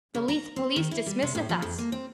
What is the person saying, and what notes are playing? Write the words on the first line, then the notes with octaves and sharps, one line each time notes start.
The Leith police dismisseth us.
C#3
A#5
C4
D#3
E4
G3
C3
A2
F3
F2
A#3
C4